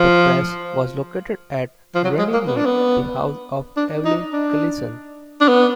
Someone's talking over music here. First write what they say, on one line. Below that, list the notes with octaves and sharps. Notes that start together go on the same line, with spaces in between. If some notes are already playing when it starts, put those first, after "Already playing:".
The Press was located at Runnymede, the house of Evelyn Gleeson.
Already playing: F3
F3
F#3
G#3
A#3
B3
D4
B3
D4
D#4
D4
D4
B3